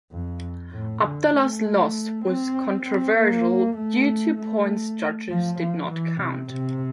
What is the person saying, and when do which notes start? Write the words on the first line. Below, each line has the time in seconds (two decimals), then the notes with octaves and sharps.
Abdallah's loss was controversial due to points judges did not count.
0.12 F2
0.72 A2
1.03 D3
1.33 A3
2.25 C4
2.86 C4
3.16 A#3
3.77 A3
4.38 A3
5.30 F3
5.60 F3
5.91 E3
6.21 C3
6.51 C3